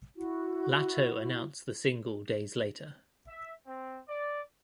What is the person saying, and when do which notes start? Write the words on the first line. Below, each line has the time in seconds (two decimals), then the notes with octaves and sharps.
Latto announced the single days later.
0.16 E4 F#4
3.27 E5
3.66 C4
4.08 D5